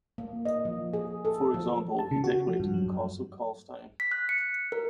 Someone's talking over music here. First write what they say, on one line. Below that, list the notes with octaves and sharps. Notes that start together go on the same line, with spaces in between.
For example, he decorated the castle Karlstejn.
A#3
D#5
F3
G#4
A4
F3
A5
C#3
F#4
F3
G2
F#3
G2
B6
F#6
C#7
A#4